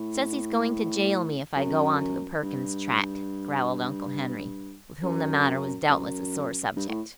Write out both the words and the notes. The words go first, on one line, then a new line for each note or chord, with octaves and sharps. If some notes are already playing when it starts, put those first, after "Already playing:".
"Says he's going to jail me if I go on to the Perkins Tract," growled Uncle Henry, with whom the matter was doubtless a sore subject.
Already playing: A2
F#2
G2
F#2
F#2
G2
A2